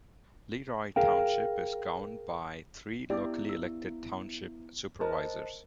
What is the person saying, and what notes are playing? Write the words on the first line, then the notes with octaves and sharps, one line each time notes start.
Leroy Township is governed by three locally elected Township Supervisors.
G#4 A#4 F5 G5
B3 E4 G4 D5
E6
A#4 C5 D#5 A5